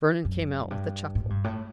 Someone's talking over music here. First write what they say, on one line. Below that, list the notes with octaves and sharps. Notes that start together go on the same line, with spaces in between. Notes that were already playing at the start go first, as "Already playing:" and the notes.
Vernon came out with a chuckle.
F#2
G2
A2
G2
A2